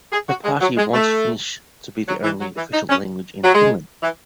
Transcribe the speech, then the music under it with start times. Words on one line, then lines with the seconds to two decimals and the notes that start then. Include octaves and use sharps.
The party wants Finnish to be the only official language in Finland.
0.12 G#4
0.28 F#4
0.44 G#3
0.61 F#3
0.77 G#3
0.94 A3
2.08 F#3
2.24 E3
2.40 F#3
2.56 E3
2.73 D#4
2.89 C#4
3.44 F#3
3.54 G#3
4.03 E3